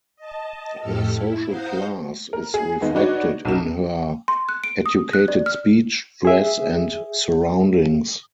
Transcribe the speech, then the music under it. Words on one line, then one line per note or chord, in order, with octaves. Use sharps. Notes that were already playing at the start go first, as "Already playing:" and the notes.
Her social class is reflected in her "educated speech, dress, and surroundings".
D#5 A5
F2 A2 G4 A4 E6 F6
E4
C5 F5 F#5 A#5 D#6 G6
A#4
G#4
D#2 D#3 G#3 B3 D#4
D4 D#4 F#4 B4 C#5 D5
B1 F#2 E7
C6
F#6
D7
D#6
F#6
D5
F6
G#4 E5